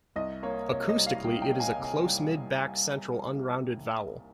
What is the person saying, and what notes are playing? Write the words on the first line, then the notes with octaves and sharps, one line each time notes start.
Acoustically it is a "close-mid back-central unrounded vowel".
C2 D#5
A#3 C#5
C3 C#5
D#5
G3
F5
C2 G5
G5
A#3
G#5
C3
G#5
G3